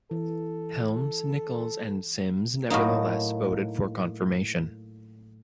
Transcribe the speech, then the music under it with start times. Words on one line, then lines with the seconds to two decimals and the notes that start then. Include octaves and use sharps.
Helms, Nickles, and Symms nevertheless voted for confirmation.
0.11 E3 A4
2.70 A2 F#3 A#3 D#4